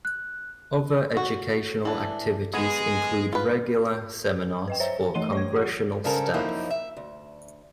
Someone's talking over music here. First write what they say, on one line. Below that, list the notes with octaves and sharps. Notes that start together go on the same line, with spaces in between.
Other educational activities include regular seminars for Congressional staff.
F#6
F#4
E3 D4
G#3 B3 G#4
F4 B4
B4 D#5 G5
C5 C#5 E5 A#5
E3 A3 D#5 C6 D#7 G7
C#5 C#6 G#6
F4 G4 G#4 F#5
G2 C#3 C4 A4 A#4
F#2 F3 A#3 C4 D#4 E4
E5
D2